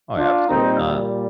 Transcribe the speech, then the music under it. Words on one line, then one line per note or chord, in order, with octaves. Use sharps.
Oh, yeah, absolutely not.
D4 F4
A#2 G3 A#3 C4 D#4